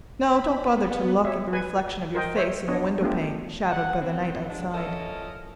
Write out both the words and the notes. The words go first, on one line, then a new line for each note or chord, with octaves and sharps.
No, don't bother to look at the reflection of your face in the window-pane shadowed by the night outside.
B5
B3
C#5 E5
B4 G#5
A#4 C5 D#5 G5
C5 C#5 E5
B3 D4 C#5 D#5
A3 B3 D4 F4 G4
F#5
B3 C4
F#3 G#3 D4
F3 C#4 E4 A4 A#4 D#5